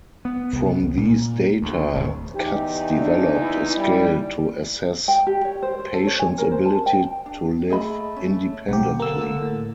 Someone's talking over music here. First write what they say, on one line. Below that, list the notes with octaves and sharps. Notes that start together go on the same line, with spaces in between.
From these data, Katz developed a scale to assess patients' ability to live independently.
B3
C2
A#2
D2
D1
E2 E3 D#4 G4
D4
E4
G3
G5
G4
C#5
C5
C5
A4
C#5
G#5
A#4
C5
A5
G5
D4
A3 G#4 D#5 B5
C#4
B1 C3 G4 F#5
D3 A#3 A#5 E6
A2